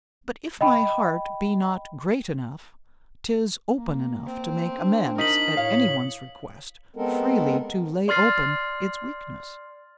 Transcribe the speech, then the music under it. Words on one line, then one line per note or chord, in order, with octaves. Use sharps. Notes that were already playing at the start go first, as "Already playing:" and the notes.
But if my heart be not great enough, 'tis open enough to make amends, at any one's request, freely to lay open its weakness.
D#5 G5 B5
A#3
C4
D4
D#4 A#4 D#6 B6 F#7
A2 C#5 F5
G#3 B3 C4 A4 A#4
D5 C6 F6 A6 C7